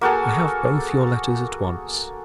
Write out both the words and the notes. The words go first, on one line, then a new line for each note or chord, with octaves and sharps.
I have both your letters at once.
A#3 F#4 G#4 A4